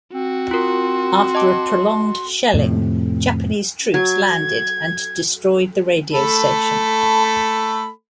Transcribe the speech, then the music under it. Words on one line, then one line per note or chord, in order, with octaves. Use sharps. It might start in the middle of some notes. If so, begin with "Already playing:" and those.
After a prolonged shelling, Japanese troops landed and destroyed the radio station.
C4 F#4
F4 A#4 C6
D#5 A5 D6
F2 A2 C3
F#3 G#6
A3 A4 B5